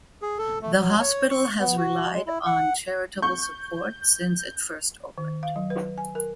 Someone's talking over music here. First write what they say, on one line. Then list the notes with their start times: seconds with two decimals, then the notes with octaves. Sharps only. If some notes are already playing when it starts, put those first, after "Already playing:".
The hospital has relied on charitable support since it first opened.
0.22 G#4
0.38 A4
0.62 A3
0.79 F#3
1.00 C#5
1.30 C#6
1.59 B3
1.77 F#4
2.12 G#3
2.27 E4
2.46 F#5
3.22 C#6 G6
5.18 D#3
5.43 F5
5.56 F#3
5.70 B4
5.98 G#5
6.15 A#4